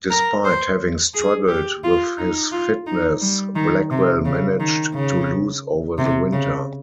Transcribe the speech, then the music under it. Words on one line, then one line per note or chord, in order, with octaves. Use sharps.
Despite having struggled with his fitness, Blackwell managed to lose over the winter.
A#4
C5
G#4
G4
F4
D#4
F4
D#4
G3
D#3
C3
C#3
D#3
C#3
C3
C#3